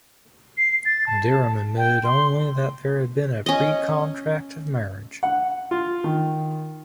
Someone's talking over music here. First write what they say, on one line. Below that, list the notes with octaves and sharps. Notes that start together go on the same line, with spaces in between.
Dereham admitted only that there had been a pre-contract of marriage.
C7
A6
A5
G5
C6
C#4 D#5
F#5
F4
D#3